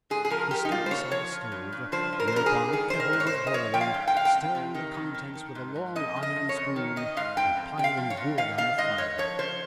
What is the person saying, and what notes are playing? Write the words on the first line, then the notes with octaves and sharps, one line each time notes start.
He stood beside a stove--whereupon a kettle was boiling--stirring the contents with a long iron spoon, and piling wood on the fire.
G#2 G#4
G#4
F3 A#4
F3 G4
D#4
A#2 F4
C5
A#2 C#5
F3 C#5
F3
G2
G2
F3 C5
F3
A#4
C5
G2 A#4
G#4
G2
D#3 G#4
D#3 C5
A#4
G#2
C#5
C5
G#2
D#5
F3 C#5
F3 G5
F5
G#2
G5
G#2 F5
G5
F2
C3
D#3
F2
D#3
D#3
G#2
G#2
F2 D#5
C#3
D#5
F3
C#5
F2
D#3
D#3 D#5
G#2 F5
G#2 G5
F2
C3 G5
F5
F3
C#5
F2
D#3 F5
D#3 F5
G#2 D#5
G#2 C#5
F3 C#5
F3 C5